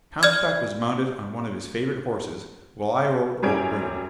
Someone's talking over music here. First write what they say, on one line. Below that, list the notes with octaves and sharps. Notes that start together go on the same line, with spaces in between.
Comstock was mounted on one of his favorite horses, while I rode old Brigham.
D5 F6 G#6
F#2 G3 C#4 G#6 D7